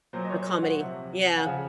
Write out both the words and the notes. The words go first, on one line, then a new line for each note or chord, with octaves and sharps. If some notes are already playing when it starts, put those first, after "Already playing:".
A comedy. Yeah.
A#2 F#3 C5
D#5
C#5
D#5
F#5
C3 F3
G#5
F#5
C#3 F3 F5